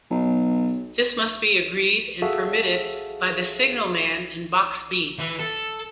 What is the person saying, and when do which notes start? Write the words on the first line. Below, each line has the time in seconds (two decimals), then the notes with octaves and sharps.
This must be agreed and permitted by the signalman in box B.
0.11 B1
2.22 F#4 G#4 A4 E5 F5
5.18 E3
5.39 A4